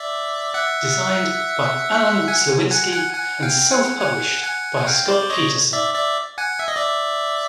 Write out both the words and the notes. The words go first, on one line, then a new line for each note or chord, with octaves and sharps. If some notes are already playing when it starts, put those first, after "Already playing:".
Designed by Allen Sliwinski and self-published by Scott Peterson.
Already playing: D5 E5
E5 F#5
F#5 G#5
F#5 G#5
F#5 G#5
F#5 G#5
F5 G5
F#5 G#5
F#5 G#5
F#5 G#5
G#5
F5 G5
C5 D5
C#5 D#5
D5 E5
D5 E5
F#5 G#5
E5
D#5
D5 E5